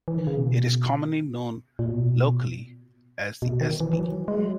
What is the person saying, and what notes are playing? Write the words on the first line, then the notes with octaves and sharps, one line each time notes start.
It is commonly known locally as "The Espy".
E3
D#3
C#3
B2
A#2
B2
B2
D#3
E3
E3
F#3
G#3
F#3